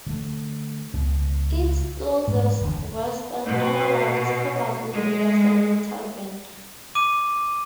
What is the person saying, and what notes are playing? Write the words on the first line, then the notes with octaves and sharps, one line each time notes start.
Its closest Western analogue is probably the Western military band.
D3 A3
C#2 B3
G#2 A3
E1 D2 D3
B2
G#3
D6 D#7